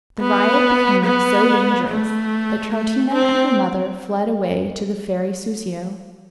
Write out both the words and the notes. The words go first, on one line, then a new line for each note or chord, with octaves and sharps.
The riot became so dangerous that Troutina and her mother fled away to the fairy Soussio.
B3
B3
A3
A3
C4